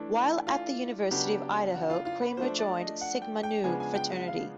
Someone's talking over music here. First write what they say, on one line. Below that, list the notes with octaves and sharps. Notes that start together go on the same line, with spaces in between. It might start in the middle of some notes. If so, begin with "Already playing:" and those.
While at the University of Idaho, Kramer joined Sigma Nu fraternity.
Already playing: E3 A3 D4
F4
C#3 F#3 B3 D4 G4
F#4
F4
F4
B4
F3 A3 D4 C5
D5
D#5
F#5
G5
G5
C#3 F3 G#3 B3 D4 G#5
G#5
G5
F#5
F5